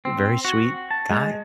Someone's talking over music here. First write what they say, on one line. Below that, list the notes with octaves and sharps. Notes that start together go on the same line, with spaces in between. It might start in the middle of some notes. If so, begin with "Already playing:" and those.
very sweet guy.
C4
F#4
A5
G#3